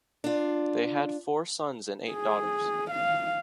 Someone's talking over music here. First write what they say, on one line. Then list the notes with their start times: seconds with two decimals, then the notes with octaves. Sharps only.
They had four sons and eight daughters.
0.24 D4 F4
2.11 G#4
2.91 F5